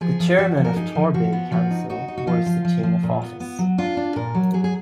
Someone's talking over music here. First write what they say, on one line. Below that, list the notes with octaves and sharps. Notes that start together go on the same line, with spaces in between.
The Chairman of Torbay Council wears the chain of office.
F3 G#4
F3
F3 F#4
F3
A#4
D#4 G#4
F3
F3 F#4
B3
F3 F#4
D#4
D#4 F#4
D#4
F#4
F3 F4
F3
F3
F3
A#2
B3
B3
F#3
D4 F4
D4
A#2 A#4
F#3
F#3 G#4
G#4